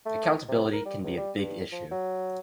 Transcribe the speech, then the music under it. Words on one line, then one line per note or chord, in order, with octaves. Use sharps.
Accountability can be a big issue.
A3
C3
A#4
G3
C#2
G3
G2
F3
F#3